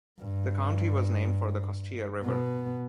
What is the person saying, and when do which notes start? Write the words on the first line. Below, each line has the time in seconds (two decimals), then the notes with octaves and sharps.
The county was named for the Costilla River.
0.19 G2
2.23 B2 B3